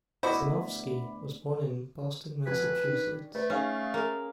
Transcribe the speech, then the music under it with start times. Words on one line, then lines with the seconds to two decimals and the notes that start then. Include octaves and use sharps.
Sinofsky was born in Boston, Massachusetts.
0.23 D2 B3 E4 F#4 C5 D#5 B5 D6
2.46 F1 F#4 B4 G#6
2.86 D#3 D4
3.35 A3 B4
3.50 C#4 D#4 G#4 F5
3.94 A#3 G#4